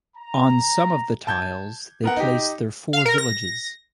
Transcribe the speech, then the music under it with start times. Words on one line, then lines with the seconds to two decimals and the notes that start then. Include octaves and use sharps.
On some of the tiles they place their four villages.
0.17 A#5
1.27 A5 G6 G#6
2.03 B3 A#4 F#5
2.17 D#4 G4
2.93 F5
3.05 A#4
3.18 A#6